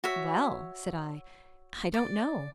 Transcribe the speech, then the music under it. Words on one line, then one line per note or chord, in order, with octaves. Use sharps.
"Well," said I, "I don't know."
F#4 C#5 E5
D5